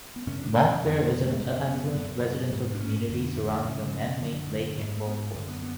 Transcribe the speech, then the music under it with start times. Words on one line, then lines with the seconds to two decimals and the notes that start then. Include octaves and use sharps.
Montclair is an affluent residential community surrounding a man-made lake and golf course.
0.16 B3
0.27 F#2 C#3 C#4
0.41 D4
0.55 C#4
0.83 F2 D3 B3
0.96 D4
1.03 C#4
1.11 B3
1.25 A3
1.39 F#2 C#3 G#3
1.68 B3
1.95 F#2 C#3
2.52 G#2
2.75 D4
2.80 C#4
3.09 F2 D3
3.36 A3
3.51 F3
3.65 F#2 C#3 F3
3.78 D3
3.92 F3
4.21 F#2 D3 F3
4.40 A3
4.49 G#3
4.78 G#2 A3
4.87 G#3
4.97 A3
5.06 B3
5.34 F#2 D3
5.49 B3
5.62 B3